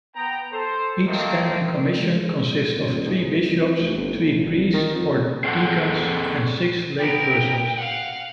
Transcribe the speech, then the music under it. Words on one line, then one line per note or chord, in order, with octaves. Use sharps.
Each standing commission consists of three bishops, three priests or deacons, and six laypersons.
B3 G5 A#5
A4 C5
D#3 A3 A#3 C4
G#3
D#1
G#2
C2
E3
F1
G1
A2
G#1
D#3
F2
C4 G#4 A4 F#5
B3 A#4 G5
F5 F#5